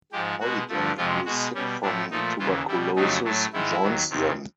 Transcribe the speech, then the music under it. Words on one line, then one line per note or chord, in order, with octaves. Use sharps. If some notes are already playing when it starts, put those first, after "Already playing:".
Holliday, who is sick from tuberculosis, joins them.
G#2 F3 G#3 G4
B2 G#3 F#4
G2 D3 F3 A3
F2 C3 F3 G#3 F4
B2 G#3 F#4
B2 G3 C#4
A2 F3 A3 D4
A#2 F3 A3 D#4
D#2 C#3 E3 F4
B2 G3 E4
F2 C#3 F#3 A3 D#4
A2 F#3 A3
G#2 D#3 G#3 E4
D#2 D#3 F#3
E2 C3 D#3